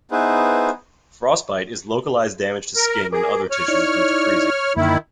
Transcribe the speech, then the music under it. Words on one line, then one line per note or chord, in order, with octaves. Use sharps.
Frostbite is localized damage to skin and other tissues due to freezing.
B3 D#4 E4 G#4 B4 C5
A#4
G#4 A#4 D6
C#5 F6
D#4 E4 D5
F#2 D3 D#3 A#3 E4